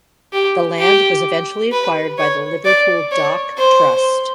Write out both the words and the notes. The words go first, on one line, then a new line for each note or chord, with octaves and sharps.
The land was eventually acquired by the Liverpool Dock Trust.
G4
G4
B4
C#5
D5
C#5
C5